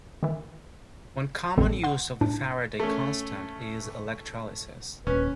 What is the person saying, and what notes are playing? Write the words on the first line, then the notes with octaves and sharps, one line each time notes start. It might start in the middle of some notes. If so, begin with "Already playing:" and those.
One common use of the Faraday constant is electrolysis.
D#3 E3
A1 E2 A2 D3 G3 C4
F#5 C6
A2 D4
A3 C#4
D#1 C#4 B4